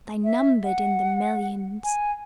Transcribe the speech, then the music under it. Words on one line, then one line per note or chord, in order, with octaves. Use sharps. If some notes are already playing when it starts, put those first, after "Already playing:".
They numbered in the millions.
E5
F#5
G#5